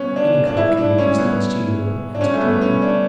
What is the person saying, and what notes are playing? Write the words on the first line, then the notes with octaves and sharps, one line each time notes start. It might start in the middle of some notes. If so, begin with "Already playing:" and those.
"Any clerk can read these lines to you, Will," answered Robin.
Already playing: B3 C#4
D4
D4
E4
D4
C#4
B3
D4
C#4
A3
B3
C#4
D4